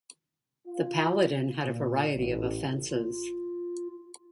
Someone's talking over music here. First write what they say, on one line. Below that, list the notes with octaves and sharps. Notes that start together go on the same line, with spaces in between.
The Paladin had a variety of offenses.
F4
A#2
A1
F4